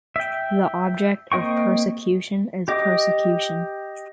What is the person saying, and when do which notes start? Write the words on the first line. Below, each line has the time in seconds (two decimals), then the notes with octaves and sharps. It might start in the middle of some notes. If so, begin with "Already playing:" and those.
The object of persecution is persecution.
0.16 E5 G5
1.32 A#3 C4 D#5 G5 C#6
2.68 G4 D#5 D6